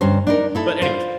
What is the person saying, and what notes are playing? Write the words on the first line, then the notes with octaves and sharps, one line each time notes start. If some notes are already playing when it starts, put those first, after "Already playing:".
but anyways,
D2 G2 C#4 C5
D4 D#4 A#4
D#4 E4 A4
F4 C5